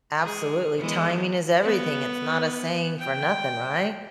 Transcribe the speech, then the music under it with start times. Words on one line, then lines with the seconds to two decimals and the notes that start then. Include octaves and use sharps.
Absolutely. Timing is everything, it's not a saying for nothing, right?
0.21 G#3 G#4
0.78 E3 G#3 B3
1.62 B3
2.99 G5